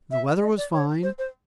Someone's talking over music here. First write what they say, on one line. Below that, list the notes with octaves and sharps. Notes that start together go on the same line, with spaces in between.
The weather was fine.
E5
D#5
D5
C#5
C5
C5